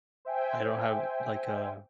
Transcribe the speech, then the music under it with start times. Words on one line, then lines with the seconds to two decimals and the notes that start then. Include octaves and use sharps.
I don't have like, uh
0.25 C5 E5 G5 G#5